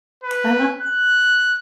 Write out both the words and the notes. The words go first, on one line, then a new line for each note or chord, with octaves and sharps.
Oh, that's
B4
F#6